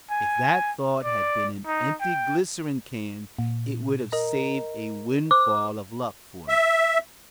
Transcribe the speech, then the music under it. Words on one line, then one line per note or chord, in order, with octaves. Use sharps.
If that thought had been an empty glycerin-can, it would have saved a windfall of luck for me.
G#5
D5
D#4
G5
A#2
A#4 D#5 A#5
C5 D6
E5